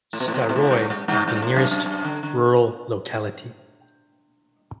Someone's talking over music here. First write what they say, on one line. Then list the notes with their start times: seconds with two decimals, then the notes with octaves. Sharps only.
Staroye is the nearest rural locality.
0.13 A2
0.20 B2
0.28 A2
0.34 B2
0.41 A2
0.49 B2
0.56 A2
0.71 G2
0.90 G2
1.08 G2
1.28 G2
1.42 A2
1.56 F#2
1.71 F#2
1.86 F#2
2.04 D3
2.23 D3